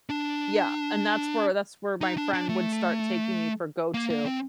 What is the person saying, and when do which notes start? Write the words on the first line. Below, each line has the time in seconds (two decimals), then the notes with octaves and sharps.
Yeah, and that's where that's where my friend would start taking me for go-to
0.10 D4
2.01 D#4
2.17 D4
2.33 D4
2.49 A3
3.94 A#3
4.10 A#3
4.26 C4